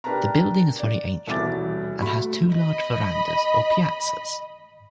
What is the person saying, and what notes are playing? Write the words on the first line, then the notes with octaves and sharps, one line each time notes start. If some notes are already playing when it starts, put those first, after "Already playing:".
The building is very ancient and has two large verandas or piazzas.
D4 G4 A#4 B4 A5 A#5
D5
D#1 C2 B2 E3 D6 A6
A3 F#4 B5
D#5 B5